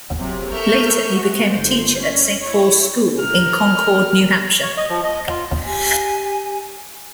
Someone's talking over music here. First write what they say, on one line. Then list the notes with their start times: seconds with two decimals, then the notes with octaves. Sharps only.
Later, he became a teacher at Saint Paul's School in Concord, New Hampshire.
0.19 C3 F#3
0.51 A4 A#4 E5 C#6 F6 G6
1.12 G#3 F#4
1.53 G1 C5
1.98 C#4
2.43 E4 C#5
3.20 A#4 F6
4.63 C#5
4.77 D#5
4.89 F3
5.04 D#5
5.30 F4
5.65 G4 G#5